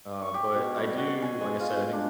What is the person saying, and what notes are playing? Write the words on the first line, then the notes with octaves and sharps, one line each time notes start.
Uh, but I do, like I said, I think
C#6
G4
B2
G3
F#4
G#5
G#3
F4
D4